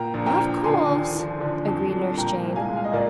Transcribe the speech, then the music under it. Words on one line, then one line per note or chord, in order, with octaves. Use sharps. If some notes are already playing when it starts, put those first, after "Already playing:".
"Of course," agreed Nurse Jane.
Already playing: A#2 G5 A#5
A#1
G5 A#5
F3
D3 G#5 C6
D#2
F3
D3
F2
G3
A#2 G5 A#5
C2
F5 G#5
G#3
F5
D#5
A#2 A#4 D5